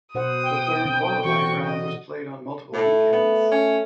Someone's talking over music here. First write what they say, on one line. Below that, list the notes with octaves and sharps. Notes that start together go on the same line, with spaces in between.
The third qualifying round was played on multiple weekends.
B2 C5 F#5 D#6
G5
D3 C4
E3 F#4 C#6
D#5
A2 A3
B3
C#4